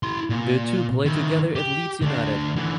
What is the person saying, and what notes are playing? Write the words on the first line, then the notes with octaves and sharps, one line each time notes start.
The two played together at Leeds United.
E4 C6
A#2
D#3 E4
G4
D2 D4
D3 E3